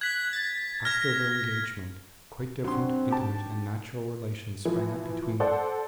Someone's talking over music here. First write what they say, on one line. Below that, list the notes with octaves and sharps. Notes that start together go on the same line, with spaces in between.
After their engagement, quite different, intimate, and natural relations sprang up between them.
F#6 G#6 B6
A6
F6 G#6 A#6
F#2 C4 D4 F#4 C6
G4 A5
E3 F3
A4 C5 D5 F#5